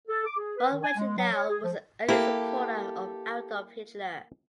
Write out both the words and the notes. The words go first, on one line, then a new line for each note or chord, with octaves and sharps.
Von Reichenau was an early supporter of Adolf Hitler.
A4
D6
G#4
B4
D#3
G#5
G#3
F#3
C#5
G#4
F3
A#3 E4 G4 A4